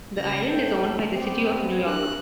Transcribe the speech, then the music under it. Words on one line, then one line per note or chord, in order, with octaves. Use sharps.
The island is owned by the city of New York.
C#3 A#6
A2 A4 G5
G3 B3 C4 G4
E3 D4 G4 A#4 F#6